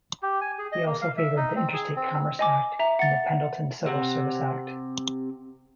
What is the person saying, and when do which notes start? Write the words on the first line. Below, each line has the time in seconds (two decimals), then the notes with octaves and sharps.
He also favored the Interstate Commerce Act and the Pendleton Civil Service Act.
0.23 G4
0.41 G#5
0.59 G#4
0.72 D#5
0.86 A#3
1.02 F5
1.18 E5
1.37 D#4
1.56 C4
1.73 G#4
1.96 C4
2.39 D#5 G#5 D6
2.79 E5 A#5
2.99 F#5 A6
3.86 C3 C4 F#5